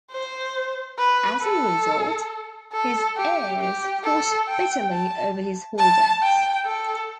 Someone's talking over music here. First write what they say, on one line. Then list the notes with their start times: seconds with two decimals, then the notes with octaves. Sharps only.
As a result, his heirs fought bitterly over his holdings.
0.11 C5
0.98 B4
1.42 A4
2.73 A4
3.17 G4
3.60 G4
4.04 A4
4.48 G5
4.91 A5
5.78 A5
6.22 G5
6.66 A4